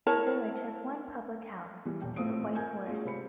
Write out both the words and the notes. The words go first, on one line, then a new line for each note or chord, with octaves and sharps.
The village has one public house, "The White Horse".
E4 A#4 C#5 A5
E3 G3
D#1 G5
A2 A3 C4 F4 D#6 D7
A#4 G#5 G6 G#6
G#3 A3 C#4 F4 F#4
C3 C5 B5 C#7